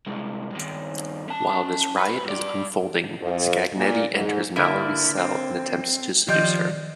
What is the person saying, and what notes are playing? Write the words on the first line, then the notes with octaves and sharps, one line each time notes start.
While this riot is unfolding, Scagnetti enters Mallory's cell and attempts to seduce her.
C2 G#3
G2 D#3
C#4 A5
B4
G2 D5
F2
A#2
G#2
D3 A#3 E4
C4
D#3 F3 G3 D#5 G6